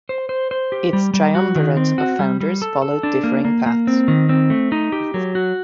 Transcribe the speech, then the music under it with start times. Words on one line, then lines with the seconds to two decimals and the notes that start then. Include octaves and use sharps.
Its triumvirate of founders followed differing paths.
0.09 C5
0.29 C5
0.51 C5
0.72 G4
0.93 G3
1.14 G3
1.35 F#4
1.55 D#3
1.77 C4
1.98 F#4
2.19 G3
2.40 G3
2.62 A4
2.82 A4
3.03 D4
3.24 A#3
3.45 A#3
3.66 A#3
3.87 C4
4.08 D#3
4.29 C4
4.50 A3
4.72 D#4
4.92 G4
5.14 F#3
5.35 F#4